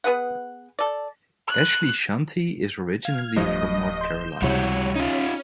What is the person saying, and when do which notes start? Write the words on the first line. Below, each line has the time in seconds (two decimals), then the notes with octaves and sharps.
Ashleigh Shanti is originally from North Carolina.
0.04 B3 G#4 B4 F#5
0.79 A4 D5
1.48 F#6
3.05 F5 F6 G#6
3.36 D1 G2 F3 A3 D#5
4.01 D#5 C6 G6 E7
4.42 C#2 C3 G3 E4 F#4 C#5
4.96 C#4 D#4 F4